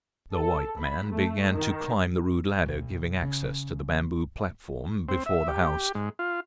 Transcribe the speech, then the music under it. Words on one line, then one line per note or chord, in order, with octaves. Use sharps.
The white man began to climb the rude ladder giving access to the bamboo platform before the house.
A4
B5
A3
D#3
B1
C#3
C4
E5
G4
G#2
F4